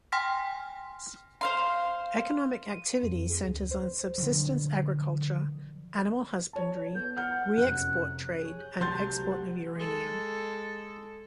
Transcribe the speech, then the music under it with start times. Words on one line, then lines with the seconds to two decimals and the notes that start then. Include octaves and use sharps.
Economic activity centres on subsistence agriculture, animal husbandry, re-export trade, and export of uranium.
0.12 G5 G#5 C6 F6 A#6 B6
1.41 C5 F5 C6
2.70 D#7
3.03 F2
3.30 G#4
3.45 D2
3.71 C5
4.18 D3 F3 F#3
6.53 C#5 A5
6.95 B3 G6
7.17 F#5 F6 G6
7.57 F1 F#2 C#4 F#6
8.42 G#4 C#5
8.59 F#6 G6
8.81 C2 F#3 A3 C6 G6 A6
9.31 F#5
9.75 G#3 A4